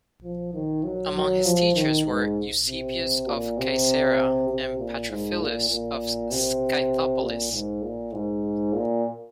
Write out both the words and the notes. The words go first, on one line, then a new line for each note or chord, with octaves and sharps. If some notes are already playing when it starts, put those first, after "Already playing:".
Among his teachers were Eusebius of Caesarea and Patrophilus of Scythopolis.
F3
D#3
F#3
F#3
F3
D#3
G#2
C3
A#2
C3
C3
A#2
G#2
A#2
A#2
C3
A#2
G#2
A#2
G#2
A#2